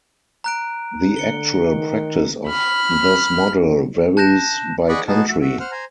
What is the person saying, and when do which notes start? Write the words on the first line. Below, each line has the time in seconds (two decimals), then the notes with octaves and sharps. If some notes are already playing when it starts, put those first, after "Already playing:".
The actual practice of this model varies by country.
0.44 A#5 F#6 D7
1.16 D3 C#7 G7
1.71 D#3
2.47 B5 F6
4.17 A5 F#6 G6 A#6 E7
4.89 G#4 D5 D#5 F#5 B5 C#6
5.08 B3 D#4 F#4 G#4 A5
5.28 F#4 E5
5.41 F#4 E5
5.60 C5 F#5 F6
5.72 C5 G#5 A#5